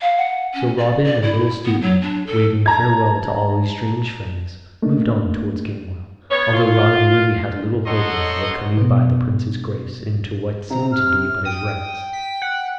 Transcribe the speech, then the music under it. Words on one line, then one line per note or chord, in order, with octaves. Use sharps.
So Robin and little Stuteley, waving farewell to all these strange friends, moved on towards Gamewell, although Robin really had little hope now of coming by the Prince's grace into what seemed to be but his rights.
F5
F#5
C#4
D5
D5
E4
B3
F#3
D4
A4
A5 A#5 G#6
A3 A#3 D4 D#4
B3 C#5
F4
D#4 A4 C#5 D#5 F#5 C6
B2 B3
C3 A#5
F6
G5 D#6
B6
F#5